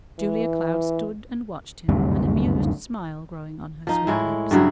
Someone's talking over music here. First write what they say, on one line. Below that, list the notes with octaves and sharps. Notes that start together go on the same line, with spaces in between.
Julia Cloud stood and watched him, an amused smile growing on her sweet lips.
E3
F#1 D2 G2 C3
F3 D#4
A2 G#3 E4
G2 C#3 F#3 E4